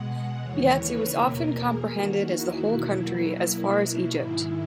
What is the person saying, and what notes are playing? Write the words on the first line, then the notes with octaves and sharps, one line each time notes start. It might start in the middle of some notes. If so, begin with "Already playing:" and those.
Yet, it was often comprehended as the whole country as far as Egypt.
Already playing: B2 G#3 F#5
D#2 C#3 E3 A#3 C#5
B4
E2 B2 A#3 A#4
G#4
E2 D#3 A#3 F#4
E4
E2 B2 F#3 A#3 E4
B2 F#3 A#3 E4
G#2 D#3 G#3 E4